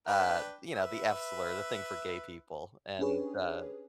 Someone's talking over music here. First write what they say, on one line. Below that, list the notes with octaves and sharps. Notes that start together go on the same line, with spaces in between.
uh, you know, the F slur, the thing for gay people. And, uh
D4 B4 G5
B4 E5
C#4 D4 G4 G#4 B4 C#5